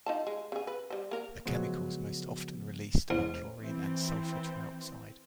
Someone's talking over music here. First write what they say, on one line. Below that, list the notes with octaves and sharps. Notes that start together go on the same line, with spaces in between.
The chemicals most often released are chlorine and sulfur trioxide.
D#4 F4 A5
G#3
C#3 G#4
B4
G3 C5
A#3 A#4
C#3 F3 F#3 G#3 B3 C5
E2 G#3 C#4 C5
E3 C4